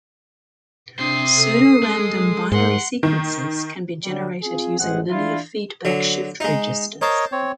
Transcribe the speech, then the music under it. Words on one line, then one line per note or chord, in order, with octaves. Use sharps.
Pseudorandom binary sequences can be generated using linear feedback shift registers.
C3 D4 C5 D#6 C7
A4
G#3
G#2 A#4 F#5 C6
D#3
D3 F#3 G3
C4 F4 G#4
A1 G#3 C4 G#4 F#5
E3 D4 E4 F4
D3 F#3
G#3 D#4
A#4 C5 C#5 D#5 A5
C4 C#5